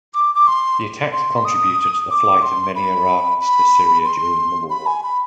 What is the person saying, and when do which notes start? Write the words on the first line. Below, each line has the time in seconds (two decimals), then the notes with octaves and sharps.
The attacks contributed to the flight of many Iraqis to Syria during the war.
0.14 D6
0.35 D6
0.47 C6
1.13 C6
1.45 D#6
2.10 D6
2.42 C6
2.75 B5
3.40 B5
4.05 C6
4.70 B5
4.87 G#5
5.03 B5